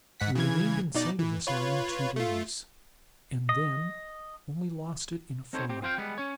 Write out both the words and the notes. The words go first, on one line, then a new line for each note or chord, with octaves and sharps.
We remained in sight of this island two days, and then only lost it in a fog.
G#2 F#5 B6
C#3 E3 G#6
B2 D#4 D5
E3
F4 B4 C#5
A3 F4
D#5
C4 D#4 A4 C5 C#5
C4 G4
C4 F4 C5 F5 G5
G3 G#3 B3
C#4 C#5